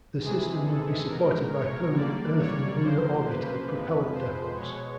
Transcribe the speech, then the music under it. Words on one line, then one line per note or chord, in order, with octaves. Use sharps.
The system would be supported by permanent Earth and lunar orbital propellant depots.
C3 E3 G#3 G#4
A4
B2 G#3 A#4
C#5
F#2 D3 G3 A#3 D5
C#5
F#2 C#3 F3 A#3 C5
B4
F2 C3 F3 G#3
C5
B2 G#3 C#5